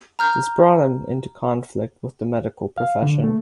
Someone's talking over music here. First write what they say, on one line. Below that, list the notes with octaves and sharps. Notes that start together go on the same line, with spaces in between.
This brought him into conflict with the medical profession.
A#5 F6 G6
F5
D3
A3